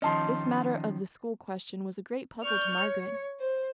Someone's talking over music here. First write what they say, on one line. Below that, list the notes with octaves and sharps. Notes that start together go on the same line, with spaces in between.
This matter of the school question was a great puzzle to Margaret.
D#3 F3 C#4 D#5 A5 C6
D5 C#6 F6 G6
C#5
C5